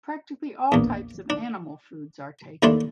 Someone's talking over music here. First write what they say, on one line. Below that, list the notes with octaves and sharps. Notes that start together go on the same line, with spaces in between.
Practically all types of animal foods are taken.
A#1 E2
D4
D#2 A3 D4 E4 D5 C6